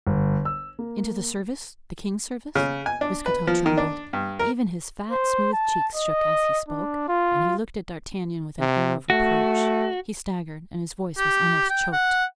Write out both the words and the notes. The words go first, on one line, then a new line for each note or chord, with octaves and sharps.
"Into the service--the king's service?" Mousqueton trembled; even his fat, smooth cheeks shook as he spoke, and he looked at D'Artagnan with an air of reproach; he staggered, and his voice was almost choked.
G1
E6
A#3
C#3
G#5
D4
B4
F3
D#3
D4
G2
A#4
C5
A5
D#5
D4
F4
C3
A3 F#4
G4
G5
F#5